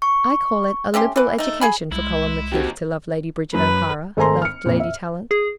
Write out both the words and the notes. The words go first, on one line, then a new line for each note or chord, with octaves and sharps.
'I call it a liberal education for Colin McKeith to love Lady Bridget O'Hara,' laughed Lady Tallant.
C#6
A3 C#4 G4 C6
E3 B4
A3 D#4
G#4 G#5 B5
C2 G#3 E4
D#2 C4 F#4 G4
F#2 B4
G#1 A3 C5 G#5 A#5 C6
F6 C#7
F2 A#2
E5
G#4